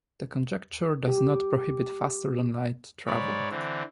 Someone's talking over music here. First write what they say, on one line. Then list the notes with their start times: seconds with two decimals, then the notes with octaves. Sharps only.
The conjecture does not prohibit faster-than-light travel.
1.08 G4
3.07 G#2 C#5 D5 B5
3.50 D3 E3 C4